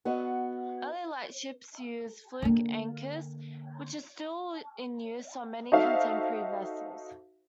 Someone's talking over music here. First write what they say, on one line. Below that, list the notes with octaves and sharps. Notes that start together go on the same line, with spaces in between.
Early lightships used fluke anchors, which are still in use on many contemporary vessels.
B3 F#4 D#5
D3 A#3
D#4 F#4 A4 C5 E5 F5